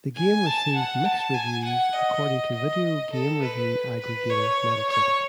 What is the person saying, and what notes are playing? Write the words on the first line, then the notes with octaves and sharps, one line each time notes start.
The game received "mixed" reviews according to video game review aggregator Metacritic.
G#5
A5
F#5
A5
G#5
F#5
D#5
D#5
A4
B4
B4
C#5
C#5